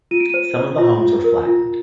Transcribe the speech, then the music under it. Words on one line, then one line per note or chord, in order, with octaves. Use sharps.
Some of the homes were flattened.
F4 D#7
D7
C5 D#7
C5
F4
F4
A#4
F4